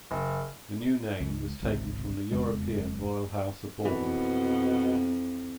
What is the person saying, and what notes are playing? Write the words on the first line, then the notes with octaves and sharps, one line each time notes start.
The new name was taken from the European royal House of Bourbon.
F#1
C#2
G#1 C#2 C3
E1 F2 C#3 G#3
F2 B2 E3